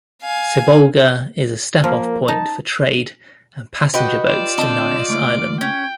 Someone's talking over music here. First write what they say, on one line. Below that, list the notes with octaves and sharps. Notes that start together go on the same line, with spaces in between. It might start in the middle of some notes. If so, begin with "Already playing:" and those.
Sibolga is a step off point for trade and passenger boats to Nias Island.
F5 G#5
F3 A#3 A#4
D#4 A5
F#4 G4 B4 D#5 G5
F4 D5 E7
D3 C4 D#5 G5 A5
C#2 A3 A#3 D7
C#4 G5 G#6